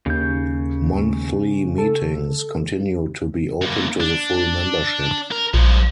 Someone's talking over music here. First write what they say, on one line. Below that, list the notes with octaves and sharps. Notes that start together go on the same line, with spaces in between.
Monthly meetings continued to be open to the full membership.
D#2 C#3 G6
A4
F#2 A#3
D4
A#4
A#1 G2 F3